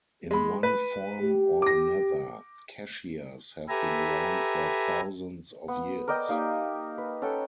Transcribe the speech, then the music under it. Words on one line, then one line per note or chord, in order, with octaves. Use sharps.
In one form or another, cashiers have been around for thousands of years.
G#3 B5
B4
G4
D6 A#6
G4 A4 B4 E5 G#5 A#5
B3
A#4 D5 D#5 G5
A#3 D#4 G4
B4
C#4 A4 F#5 G5